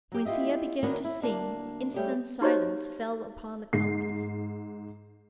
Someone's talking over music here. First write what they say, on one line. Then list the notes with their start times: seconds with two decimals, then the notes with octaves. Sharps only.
When Thea began to sing, instant silence fell upon the company.
0.12 F#3 G4
0.25 E4 F4 G4 D#5 E5
0.83 D#3 A#3 B3 D4 F#4 C#5
1.05 E4
1.22 D2 A#3 D4 D5 A5
1.94 G3 A3 G4 G#4 C#5 D5
2.41 D#4 F#4 G4 C5 C#5 D#5
3.73 G#2 C7